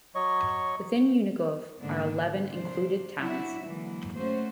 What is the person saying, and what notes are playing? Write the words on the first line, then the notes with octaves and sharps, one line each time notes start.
Within Unigov are eleven "included towns".
F#3 C#5 D#5 C#6
G#2 D3 A#3 B3 D4 D#4
C3 F3 G#3 D4 C5
F#3 D4 E4 F#4 E5
D3 E3 F#3 G#3 A#3
A3 A#3 C#4 F#4 C5